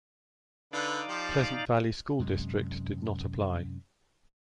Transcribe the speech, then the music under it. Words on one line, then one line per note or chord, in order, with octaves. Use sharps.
Pleasant Valley School District did not apply.
D3 D#4 B4 D5 F5
F3 G4
F#2 C3 G#3